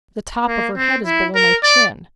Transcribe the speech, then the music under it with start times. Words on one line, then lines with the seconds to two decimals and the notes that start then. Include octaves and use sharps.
"The top of her head is below my chin."
0.48 A#3
0.77 C4
1.06 E4
1.35 A#4
1.63 D5